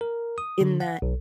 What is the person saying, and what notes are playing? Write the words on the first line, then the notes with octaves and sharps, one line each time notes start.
in that,
A#4
D#6
D3
F#5
B1